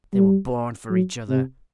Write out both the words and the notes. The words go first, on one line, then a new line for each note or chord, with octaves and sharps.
They were born for each other.
G3
F#3
C3